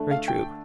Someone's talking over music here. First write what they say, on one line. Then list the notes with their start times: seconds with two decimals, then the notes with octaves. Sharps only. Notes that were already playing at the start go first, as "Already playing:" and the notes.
Very true.
Already playing: D3 A3 D4
0.11 F5
0.28 G5